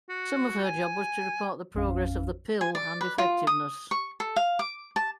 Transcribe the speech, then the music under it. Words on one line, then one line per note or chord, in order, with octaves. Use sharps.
Some of her job was to report the progress of the pill and effectiveness.
F#4
G#5
A1 F2 C#4 F5
G#5
D5
B4
F4
D#6
C#6
A4
F5
D6
A5